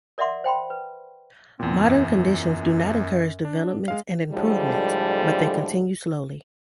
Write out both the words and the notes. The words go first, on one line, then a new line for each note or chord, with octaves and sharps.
Modern conditions do not encourage developments and improvements, but they continue slowly.
A#4 D5 E5 F#5 C6 D6
C5 G5 B5 C6
B4
E2 A#2 C4
F#2
D4
G#3 F5
A2 D3 F3 G3 G#3